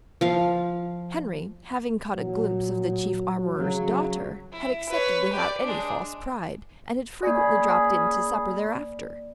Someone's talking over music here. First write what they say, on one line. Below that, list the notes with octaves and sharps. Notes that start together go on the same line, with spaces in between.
Henry, having caught a glimpse of the Chief Armourer's daughter, had accepted without any false pride, and had frequently dropped in to supper thereafter.
F3 F5
A#2 F#3
C#3 F#3
E4
B4 C#5
G4 D5
G#3 D4
A#3 C#4 G#4 D5 B5